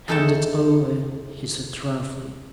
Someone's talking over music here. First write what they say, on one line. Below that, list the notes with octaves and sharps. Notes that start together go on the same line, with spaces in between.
"Hand it over," he said roughly.
E2 D#4 A4 C#5 G5 A5